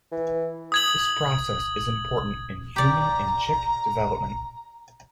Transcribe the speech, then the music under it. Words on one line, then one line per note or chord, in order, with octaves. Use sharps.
This process is important in human and chick development.
E3
D#6 G#6 F#7
G4 D5 A#5